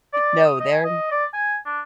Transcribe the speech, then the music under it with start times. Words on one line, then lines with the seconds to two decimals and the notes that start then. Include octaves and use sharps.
No, they're
0.13 D5
0.45 D#6
0.60 D#5
0.72 G#5
0.84 D#5
1.11 D5
1.33 G#5
1.66 D4